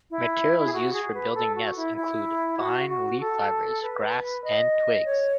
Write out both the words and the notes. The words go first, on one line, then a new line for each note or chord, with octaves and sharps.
Materials used for building nests include fine leaf fibers, grass, and twigs.
E4
G#4
F#4
G#4
B4
A4
F#4
E4
E4
F#4
F#4
A4
B4
D#5
C#5